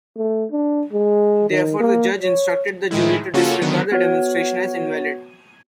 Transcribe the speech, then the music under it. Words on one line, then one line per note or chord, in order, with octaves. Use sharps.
Therefore, the judge instructed the jury to disregard the demonstration as invalid.
A3
D4
G#3
D#3
A#3
C#5
A2 D#3 G#3 E4
C#3 A#3 C#4 F4 F#4 A4
D3 D#3 F#3 B3
B3 F#4 C#5